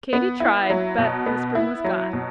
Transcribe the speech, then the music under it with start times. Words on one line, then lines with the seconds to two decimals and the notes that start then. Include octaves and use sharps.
Katy tried, but the spring was gone.
0.13 B3
0.40 E4
0.70 F#3
0.98 B2
1.26 B3
1.55 E4
1.84 F#3
2.13 B2